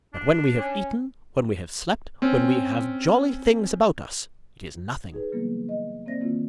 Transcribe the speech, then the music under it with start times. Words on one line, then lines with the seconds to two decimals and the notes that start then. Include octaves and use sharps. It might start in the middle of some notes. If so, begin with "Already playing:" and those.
But when we have eaten, when we have slept, when we have jolly things about us--it is nothing.
0.14 D4
0.57 C#4
2.22 C4 C#4
5.12 D#4 G#4 B4
5.32 C#3 E3 F#3 G3 A#3 B3
5.69 D#5
6.06 A#3 C4 C5 D5 E5 A#6
6.21 D#3 A#3 C4 E4 F4